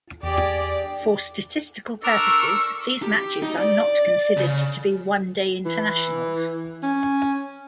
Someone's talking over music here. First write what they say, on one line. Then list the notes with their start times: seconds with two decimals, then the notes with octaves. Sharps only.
For statistical purposes, these matches are not considered to be One Day Internationals.
0.23 E2 G4 G#4 D5
2.04 D4 A#4 C#6 E6
3.03 G4
3.42 D#4
3.58 D5
4.37 C#3
5.66 E3
6.83 C#4